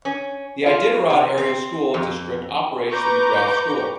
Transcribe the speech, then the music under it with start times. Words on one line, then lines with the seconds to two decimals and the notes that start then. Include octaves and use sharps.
The Iditarod Area School District operates the McGrath School.
0.05 C#4
0.66 F4
1.10 C3
1.38 C4
1.94 F2
2.90 B4 A#5 C#6 D6 G6